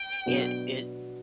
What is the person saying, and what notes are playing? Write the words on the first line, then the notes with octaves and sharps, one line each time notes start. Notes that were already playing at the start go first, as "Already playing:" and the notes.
it it
Already playing: G5
B2 F#3 B3 D4 F#4